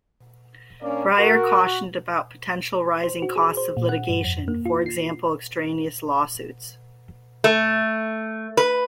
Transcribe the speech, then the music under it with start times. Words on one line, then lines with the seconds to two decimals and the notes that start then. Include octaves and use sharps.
Breyer cautioned about potential rising costs of litigation, for example, extraneous lawsuits.
0.82 A#3 C#4 D4 D5
1.18 F#4 A#4
3.04 C5
3.22 F#4
3.36 G#4
3.57 C5
3.77 A#2
3.89 F#5
4.09 G2
4.25 F2
4.48 A#3
4.66 F4
4.86 C7
7.44 A3
8.57 B4